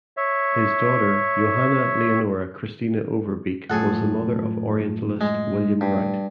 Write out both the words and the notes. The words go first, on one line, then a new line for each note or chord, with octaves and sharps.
His daughter Johanna Leonora Christina Overbeek was the mother of orientalist William Wright.
C#5 E5
F#2 A2 F3 G#4 A4 F#5
G#3
G2